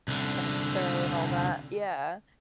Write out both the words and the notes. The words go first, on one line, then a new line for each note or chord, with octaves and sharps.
Jack Sparrow and all that yeah.
C2 D3